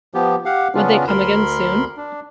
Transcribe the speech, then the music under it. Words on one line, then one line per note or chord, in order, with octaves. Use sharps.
Would they come again soon?
F3 B3 G4
G4 F5 F#5
C#3 B3 C#4 D4 F4
D2 A#4 B5 C6
D4